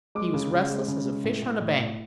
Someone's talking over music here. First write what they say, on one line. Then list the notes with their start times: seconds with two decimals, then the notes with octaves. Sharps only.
He was restless as a fish on a bank.
0.15 G#3 D6
0.34 C#3
0.52 C#3
0.70 G#3
0.88 C#3
1.06 G#3
1.24 A2
1.42 A2
1.60 A2
1.78 A2